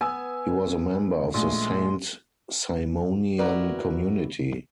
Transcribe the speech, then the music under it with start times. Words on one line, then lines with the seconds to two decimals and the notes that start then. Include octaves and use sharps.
He was a member of the Saint-Simonian community.
0.01 B3 G#5 D#6 E6
1.34 A#1 G#3 A3 C6
3.38 E4 F#4 A#4 B4 D5